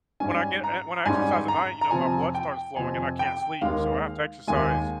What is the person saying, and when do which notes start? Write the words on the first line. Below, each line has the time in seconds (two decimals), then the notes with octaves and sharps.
When I get uh, when I exercise at night, you know, my blood starts flowing and I can't sleep, so, I have to exercise
0.20 G#2 G3 C#4 G#5
0.64 A#5
1.06 G#2 G3 C#4 G#5
1.48 A#5
1.81 A#5
1.91 F2 C3 F3 C4 G#5
2.35 G5
2.76 F2 C3 F3 C4 G#5
3.19 G5
3.61 D#2 D#3 G#3 F5
4.47 D#2 D#3 G#3 G#5